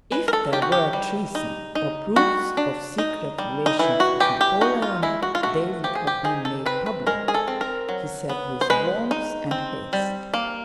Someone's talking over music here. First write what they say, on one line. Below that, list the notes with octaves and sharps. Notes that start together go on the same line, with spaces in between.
"If there were treason, or proofs of secret relations with Napoleon, they would have been made public," he said with warmth and haste.
G#3 B4
A#4
A4
D#4 G4
F#4
G4
G3
D#4
D#4
G3 F#4
D4
D#4
G3
D#4
E3 E4
F#4
E3 G4
G4
D#4 F#4
F4
G#3 E4
F#4
F4
A3 F#4
F3 G4
G#4
G4
D#4 G#4
A4
C4 B4
B4
G#3 A#4
G#4
A4
C4
A#4
F#3
B3
C5
G#3 B4
D#4
C4
G3
A#3